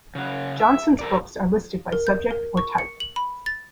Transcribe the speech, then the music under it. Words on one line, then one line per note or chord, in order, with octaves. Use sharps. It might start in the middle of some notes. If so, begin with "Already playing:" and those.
Johnson's books are listed by subject or type.
C#3 F#3
E5
A4 A#4 D5
A#4
G6
A#4
C#6
C#7
F#7
B5
A6